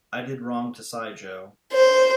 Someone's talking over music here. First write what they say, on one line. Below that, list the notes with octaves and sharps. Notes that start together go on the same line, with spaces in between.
I did wrong to sigh, Jo.
C5